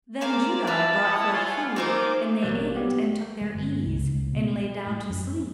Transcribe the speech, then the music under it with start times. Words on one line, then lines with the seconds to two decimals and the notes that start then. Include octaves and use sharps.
Then Judar brought forth food and they ate and took their ease and lay down to sleep.
0.21 G#4 A#4 C5 D5 F5
0.67 E4 B4 E5 F5 A5
1.02 E4 C#5 D#5 F#5
1.33 F4 G#5
1.76 A#3 C4 D#4 F4 G#4 C5 D6
2.42 A1 B2 F#3 G3 A#3 D5
2.75 B3 G4
3.41 G#3
3.55 G1
3.86 C#2
4.14 C#2
4.33 B2
4.87 A2
5.10 F#2